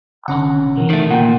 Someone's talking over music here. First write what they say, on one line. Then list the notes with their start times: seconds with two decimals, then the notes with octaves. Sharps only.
Oh, man.
0.28 G1 C#3 C#4 F#5
0.77 B2 E3 A#4
0.90 D#3 A3
1.11 A#2 F#5 G5